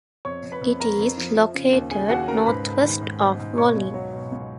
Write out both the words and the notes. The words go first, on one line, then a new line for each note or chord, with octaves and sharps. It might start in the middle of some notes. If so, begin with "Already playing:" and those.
It is located northwest of Volin.
F2 C#5 C#6
F2
B4 B5
F2
F2 A#4 A#5
F2
F3
F3
C#3
D#2
C#3 G#4 G#5
D#2 F#4 F#5
C#3 A#4 A#5
G#2 B4 B5
G#2
D#3
G#2
G#2
G#2
B2 C#5 C#6
C#2
F#3
B2
C#2